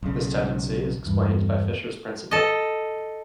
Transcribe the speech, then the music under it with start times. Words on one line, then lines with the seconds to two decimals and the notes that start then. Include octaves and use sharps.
This tendency is explained by Fisher's principle.
0.03 B1 C#3
1.06 E2 G2
2.31 A4 D#5